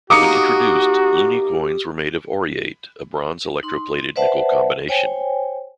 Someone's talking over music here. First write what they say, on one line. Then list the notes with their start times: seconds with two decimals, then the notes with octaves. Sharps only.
When introduced, loonie coins were made of Aureate, a bronze-electroplated nickel combination.
0.10 A#3 D#4 F#4 G4 D6 D#6 C#7
3.63 D#4 C6
4.16 B4 C5 D5 E5 F#5 A5
4.88 C5 C#5 G5 G#5